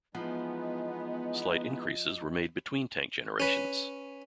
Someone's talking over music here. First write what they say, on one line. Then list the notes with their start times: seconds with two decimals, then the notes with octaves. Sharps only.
Slight increases were made between tank generations.
0.15 E3 F3 G#3 B3 D#4 D#5
3.40 C#4 B4